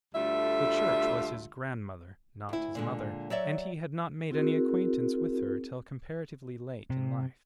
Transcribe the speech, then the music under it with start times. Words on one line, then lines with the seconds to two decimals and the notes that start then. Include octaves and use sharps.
The Church was his grandmother, not his mother, and he had not made any acquaintance with her till comparatively late in life.
0.15 D2 D3 G3 A3 F4 E5
2.49 D2 E4
2.75 A#2 D3 G#3
3.30 F#3 C#5 D5 E5
4.31 C4 E4 F#4 G#4 A#4
6.90 C3